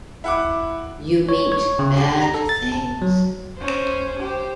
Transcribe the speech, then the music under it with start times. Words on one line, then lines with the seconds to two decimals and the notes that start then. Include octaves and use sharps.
You meet bad things.
0.24 E4 F#5 D6
1.29 C#5
1.52 C#5
1.79 C#3
1.97 G4
2.21 A#5
2.34 A4
2.49 A6
2.72 A5
3.02 F#3
3.57 C#4 C5
4.19 G4 C5